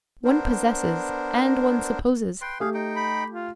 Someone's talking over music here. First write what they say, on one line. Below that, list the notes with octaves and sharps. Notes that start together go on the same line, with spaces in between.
One possesses and one supposes.
B3 D4 A#4 C5
B4 G5 C6
A3 G4 G#4 F5
D#4 G5
B5
F4